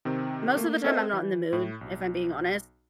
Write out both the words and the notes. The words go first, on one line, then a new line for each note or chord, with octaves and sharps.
most of the time I'm not in the mood, if I'm being honest.
C3 D#3 C4
A3 A#3
C4 A4 A#4 C5 D#5 E5
E3
A2
B1